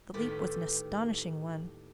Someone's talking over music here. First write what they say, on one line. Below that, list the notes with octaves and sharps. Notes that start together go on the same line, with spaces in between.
The leap was an astonishing one.
A2 D#3 G4 A4 B4